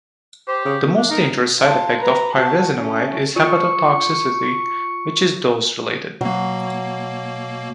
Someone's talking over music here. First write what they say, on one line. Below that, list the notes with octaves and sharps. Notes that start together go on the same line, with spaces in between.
The most dangerous side effect of pyrazinamide is hepatotoxicity, which is dose related.
G4 C5
C#3
B2
D4
D#4 A#4
F4 A5
B4 A#5
F#4 A5
A3 C#4
F4 C#6
B2 F#3 A#3